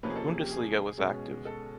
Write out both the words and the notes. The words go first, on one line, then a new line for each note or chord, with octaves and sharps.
Bundesliga was active.
C3 F3 A#3 C#4 B4
G#4
A4
G#4
G4
G#4
B2 G#3 C#4
A4